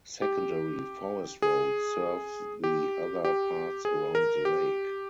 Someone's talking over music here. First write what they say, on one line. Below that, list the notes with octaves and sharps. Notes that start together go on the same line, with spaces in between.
Secondary forest roads serve the other parts around the lake.
G4
G#4
G4
G4
G#4
A#4
G4